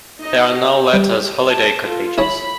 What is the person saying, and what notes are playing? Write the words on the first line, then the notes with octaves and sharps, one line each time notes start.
They are now let as holiday cottages.
D#4 D#5
G4
G3
A5
F4 A4
E4 G#4 C#5 B5